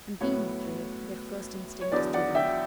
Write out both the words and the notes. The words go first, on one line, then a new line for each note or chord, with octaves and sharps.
And being afraid, their first instinct is to--run.
A2 F#3 B3 C#5
C#5
E2 D3 F#3 D5
D5 F#5
E5 G5